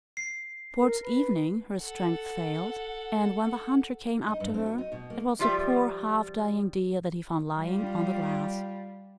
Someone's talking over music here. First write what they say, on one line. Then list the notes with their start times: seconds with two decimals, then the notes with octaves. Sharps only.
Towards evening her strength failed; and when the hunter came up to her it was a poor half-dying deer that he found lying on the grass.
0.17 C7
0.80 A#4
1.03 B4
1.77 A4 F#5
4.28 D#4
4.40 G2
4.54 C4
4.66 F#4
4.78 D#4
4.92 B2
5.10 A#3
5.39 F3 G3 F4 G4 E5
7.58 G3 F4